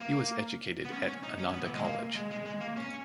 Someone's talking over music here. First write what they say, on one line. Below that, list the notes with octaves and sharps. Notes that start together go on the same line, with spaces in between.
He was educated at Ananda College.
A#3
B3
C#4
C#4
D#4
C#4
B3
E3
G#3
A#3
G#3
G#3
G#3
A#3
C#4